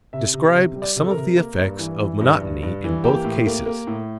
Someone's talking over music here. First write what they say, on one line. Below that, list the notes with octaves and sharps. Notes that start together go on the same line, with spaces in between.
Describe some of the effects of monotony in both cases.
C3 E5
C3
C3
G3
D5
C3 A4
A#4
C3
A#3
G2
E3
E3
G2
G2
G2
E3
A#3 G4
A2
A#3
A#3
A2